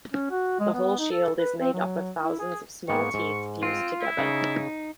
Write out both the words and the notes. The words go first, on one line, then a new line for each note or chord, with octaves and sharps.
The whole shield is made up of thousands of small teeth fused together.
C#4
F#4
G#3
B3
D#4
A4
B4
C4
F#3
E4
G#4
G#2 A#3 B3 C#6
G#2
C4 F4
E4
C#3 D#4